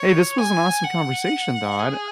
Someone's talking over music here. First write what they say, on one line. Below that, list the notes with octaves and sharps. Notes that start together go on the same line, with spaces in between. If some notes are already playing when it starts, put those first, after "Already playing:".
Hey, this was an awesome conversation, Dodd.
Already playing: C#5
G#5
F#5
G#4